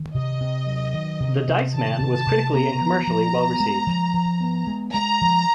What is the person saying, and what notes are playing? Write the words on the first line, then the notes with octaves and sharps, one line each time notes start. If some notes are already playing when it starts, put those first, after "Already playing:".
"The Dice Man" was critically and commercially well received.
Already playing: D#3
C3 D#5
C3
F#3
D#3
C3
C3
D#3 A5
C3
A5
C3
B3 A#5
F3
F3
B3
G#3
F3
F3
B3
G#3
G#3 A#5
F3